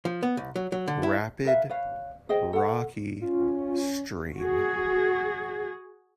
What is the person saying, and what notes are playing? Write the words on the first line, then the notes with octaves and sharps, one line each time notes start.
Rapid Rocky Stream.
F3
B3
C2
F#3
F#3
D3
E4
A#4 B4 E5 F5
B4 C#5 F5
G#4 C5 D#5 G5
A4 F#5
C#4 F4
F#4 G#4